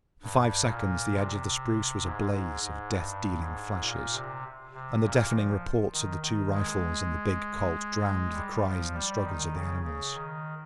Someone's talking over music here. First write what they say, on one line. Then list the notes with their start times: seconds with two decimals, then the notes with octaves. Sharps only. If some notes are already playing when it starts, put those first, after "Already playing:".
For five seconds the edge of the spruce was a blaze of death-dealing flashes, and the deafening reports of the two rifles and the big Colt drowned the cries and struggles of the animals.
0.23 G2
0.68 A#2
1.13 C3
2.03 G#2
2.33 G#2
2.63 G#2
2.93 G2
3.38 G#2
3.83 A#2
4.13 C3
4.74 C3
5.03 A#2
5.33 F3
5.93 D#3
6.23 D#3
6.53 G#3
8.33 G3
8.63 F3
8.93 G3
9.23 D#3
9.53 C#3
9.83 C#3
10.14 D#3